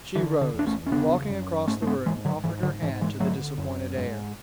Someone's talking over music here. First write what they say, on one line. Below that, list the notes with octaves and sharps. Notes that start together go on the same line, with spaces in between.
She rose, and walking across the room, offered her hand to the disappointed heir.
D3 E3
D3
E2
D4
A3 C#4
C#4
C#3 B3 D4
F#2
G#2 A3 C#4
A3
G#3 B3
G#2 E3 G#3
D3 F#3
G#2 E3
D3 F#3
G#2 E3
E3 G#3
D3 F#3 A3
F#2
G#2